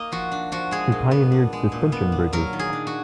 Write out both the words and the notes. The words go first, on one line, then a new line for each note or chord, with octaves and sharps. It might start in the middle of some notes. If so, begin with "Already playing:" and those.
He pioneered suspension bridges.
Already playing: A#3 D#5
F3 F#4
D4
F3 F#4
G#3 G#4
A#2
B3
D4
G#3
A#2
B3
D4
F#3 A#4
D#3
G#4
D4
F#4